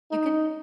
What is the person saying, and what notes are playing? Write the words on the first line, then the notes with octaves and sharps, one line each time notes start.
You can
D#4